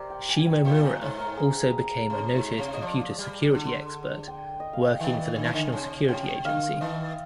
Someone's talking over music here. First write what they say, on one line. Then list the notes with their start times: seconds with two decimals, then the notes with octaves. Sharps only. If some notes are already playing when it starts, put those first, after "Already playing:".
Shimomura also became a noted computer security expert, working for the National Security Agency.
Already playing: C3 G4 A#4 C5 D5
0.10 G5
0.29 G#5
0.41 G#5
0.47 G5
0.65 A#2 F5
0.83 G#5
1.01 G#2 C5
1.19 A#4
1.37 G#4
2.10 C3
2.34 G#2
2.58 C3
2.74 D#5
2.82 F3 D5
3.18 G3
3.55 D3
4.27 G5
4.60 D#5
4.73 F5
4.86 G5
4.99 D#3 G#5
5.11 D#5
5.18 D5
5.36 D3 G#5
5.44 D#3
5.53 D3 G#5
5.72 C3 G#5
6.08 C3 G5
6.45 D3 F5
6.81 D#3 D#5